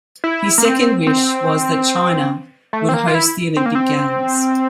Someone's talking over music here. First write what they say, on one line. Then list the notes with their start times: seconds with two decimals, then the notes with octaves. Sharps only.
His second wish was that China would host the Olympic Games.
0.24 E4
0.58 A#3
0.65 C4
1.07 C4
2.73 A3
2.89 C4
2.94 A#3
3.07 F4
3.15 E4
3.57 C4
3.66 A#3
3.75 C4